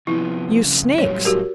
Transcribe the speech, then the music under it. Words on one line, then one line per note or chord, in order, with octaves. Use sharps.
You snakes!
C3 F3 B3 E4
F2 C#3
A2 F#3 G3 C#5
F#4 G4 A#4